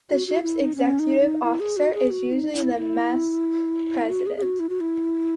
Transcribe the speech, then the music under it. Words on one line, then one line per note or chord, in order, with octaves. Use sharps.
The ship's executive officer is usually the "mess president".
F#4
F#4
E4
D#4
C#4
D#4
D#4
E4
G#4
F#4
G#4
F#4
D#4
E4
E4
F#4
G#4
G#4
F#4
E4
F#4
E4